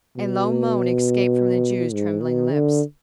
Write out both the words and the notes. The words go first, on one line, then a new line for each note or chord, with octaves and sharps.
A low moan escaped from the Jew's trembling lips.
B2
G#2
B2
D3